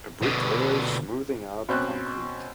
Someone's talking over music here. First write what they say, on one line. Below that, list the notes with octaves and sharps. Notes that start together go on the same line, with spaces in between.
A bricklayer smoothing out concrete.
B2 D3
B2 C4 C#4 F#6